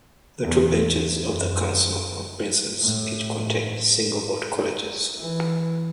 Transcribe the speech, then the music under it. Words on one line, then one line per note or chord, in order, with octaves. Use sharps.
The two benches of the Council of Princes each contained single-vote colleges.
E2
F#2
A2
E3